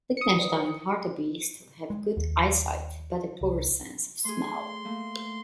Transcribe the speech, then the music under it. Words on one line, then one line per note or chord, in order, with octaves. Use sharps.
Lichtenstein's hartebeest have good eyesight but a poor sense of smell.
D#6 C#7
G#3
D#2
C2
A3 G#4 C6
A3 A#3